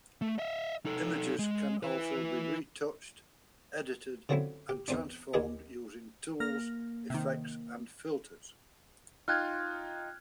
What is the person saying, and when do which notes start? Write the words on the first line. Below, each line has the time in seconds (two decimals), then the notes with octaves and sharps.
Images can also be retouched, edited, and transformed using tools, effects and filters.
0.22 A3
0.38 D#5 E5
0.86 D#4 A4
1.39 G#3
1.83 E4 B4
4.29 D3 F3 F#3 C4 C#4 E4
4.69 G4
4.88 E2 C4 D4
5.34 D#2 D#3 G4 G#4 D#5
6.40 A#3 F6 A#6
7.10 C3 D#3
9.28 D#4 F4 G5 F6 F#6 G#6